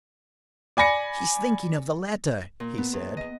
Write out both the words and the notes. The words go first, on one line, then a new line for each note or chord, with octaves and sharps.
"She's thinking of the letter," he said.
D5 G#5 B5 A#6 C#7
A#2
B3
E2
D#5